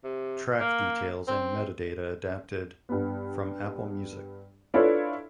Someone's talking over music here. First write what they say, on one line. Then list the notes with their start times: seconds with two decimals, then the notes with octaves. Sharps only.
Track details and metadata adapted from Apple Music.
0.04 C3
0.60 A#3
1.28 C4
2.89 G2 B3
4.74 D4 E4 F4 A4 B4 C#5